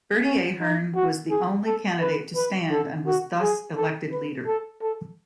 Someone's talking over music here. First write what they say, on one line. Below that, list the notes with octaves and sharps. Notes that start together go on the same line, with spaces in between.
Bertie Ahern was the only candidate to stand and was thus elected leader.
C#4
D#4
F#4
G#4
A4
B4
B4
A4
F#4
G#4
A4
B4
A4
A4